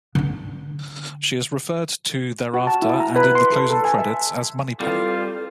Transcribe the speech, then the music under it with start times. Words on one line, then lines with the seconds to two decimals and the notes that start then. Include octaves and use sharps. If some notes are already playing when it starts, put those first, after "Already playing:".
She is referred to thereafter, and in the closing credits, as Moneypenny.
0.15 D3 D4
2.54 F#4
2.67 A5
2.82 E4
3.00 A#5
3.16 B4
3.35 C6
3.52 A4
3.70 A4
3.85 G#5
3.98 E5
4.80 G3 C4 E4 F4 A4 B4